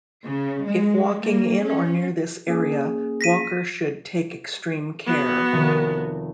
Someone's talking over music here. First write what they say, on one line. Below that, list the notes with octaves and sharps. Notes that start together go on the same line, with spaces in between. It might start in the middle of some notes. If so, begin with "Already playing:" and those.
If walking in or near this area, walker should take extreme care.
C#3
G#3
A#3
C#4
A#3 C#4 G#4
A#6 B6 D#7
B3 F#4
F1 D#3 A#6